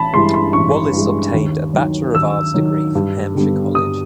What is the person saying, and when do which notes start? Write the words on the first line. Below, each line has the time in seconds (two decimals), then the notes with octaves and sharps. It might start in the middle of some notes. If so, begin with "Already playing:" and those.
Wallace obtained a Bachelor of Arts degree from Hampshire College.
Already playing: A1 A5 B5
0.13 G2 E3 G#3 C6
0.34 C6
0.53 A1 C#6
0.93 G2 E3 G#3
1.34 D#2
1.74 D#3 F#3
2.14 D#2 E6
2.54 D#3 F#3
2.95 G2
3.35 D3 G3 B3
3.74 G2 D#6